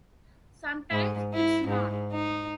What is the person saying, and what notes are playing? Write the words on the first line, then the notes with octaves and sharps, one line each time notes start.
Sometimes it's not.
G#2
E4
G#2
D#4